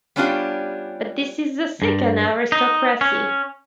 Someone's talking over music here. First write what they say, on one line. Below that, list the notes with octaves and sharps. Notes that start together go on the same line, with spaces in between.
But this is the second aristocracy.
G3 B3 C#4 D4 F4 G4
G2
D#4
C#4